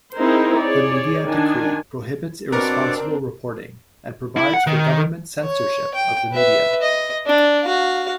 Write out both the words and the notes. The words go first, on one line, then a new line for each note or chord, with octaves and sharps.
The Media Decree prohibits "irresponsible reporting" and provides for government censorship of the media.
C4 D#4 E4 G#4 A#4 C5
G#4 C#5 D5
D#3 D4 G#5
B2 C4 D4 A#4 D5 F#5 D6
E4
F#5
D#3
C#5
G5
B4 E5
D#5
D4
F#4 F5